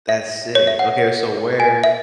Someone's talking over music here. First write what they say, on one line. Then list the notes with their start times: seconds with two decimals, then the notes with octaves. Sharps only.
That's sick. Okay, so where
0.09 E5
0.55 C#5
0.67 E5
0.79 F#5
1.60 G#5
1.84 E5